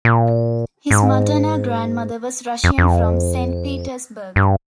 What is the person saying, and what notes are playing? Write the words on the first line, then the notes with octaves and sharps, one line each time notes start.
His maternal grandmother was Russian from Saint Petersburg.
A#2
G#2
F2
F2
G2